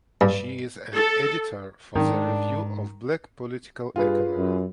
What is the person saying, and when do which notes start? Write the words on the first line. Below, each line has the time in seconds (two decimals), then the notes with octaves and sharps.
She is an editor for The Review of Black Political Economy.
0.21 G2
0.93 A4
1.95 G#2 D#3 D4
3.96 G2 F4 G#4 B4
4.37 F#2